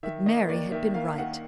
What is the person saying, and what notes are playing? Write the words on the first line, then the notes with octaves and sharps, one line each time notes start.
But Mary had been right.
D#3 E5
A#3 D#5
D#2 D5
D#3 E5
A#3 F5
F5
D#3 F#5